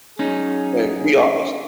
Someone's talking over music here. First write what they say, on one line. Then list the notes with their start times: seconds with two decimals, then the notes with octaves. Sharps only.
Like, be honest.
0.19 F#3 C#4 D#4 G#4